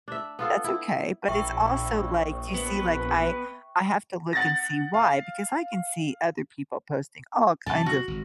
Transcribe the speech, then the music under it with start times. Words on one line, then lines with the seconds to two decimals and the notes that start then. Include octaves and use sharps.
that's okay, but it's also like you see, like, I I have to look and see why because I can see other people posting all kinds of
0.08 D4 E5
0.39 B3 F4 A4
0.64 E4
1.28 A#1 E4 E5 G5 C#6
2.54 B3 B4
4.33 F#5 A6 A#6
4.94 F5
7.66 F#2 C3 D#3 A5
7.86 F#4
8.08 G#1